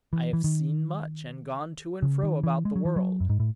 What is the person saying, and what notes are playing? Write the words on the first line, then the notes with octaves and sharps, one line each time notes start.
I have seen much, and gone to and fro about the world.
E3
E3
D#3
C#3
D#3
E3
G#3
F#3
E3
F#3
F#2
G#2
A2